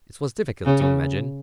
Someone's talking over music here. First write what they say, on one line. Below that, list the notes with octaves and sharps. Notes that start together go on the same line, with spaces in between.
It was difficult to imagine.
C#3